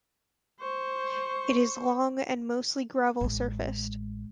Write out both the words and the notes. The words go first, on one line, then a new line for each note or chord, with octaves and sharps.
It is long and mostly gravel-surfaced.
C5 C#6
A1 G#3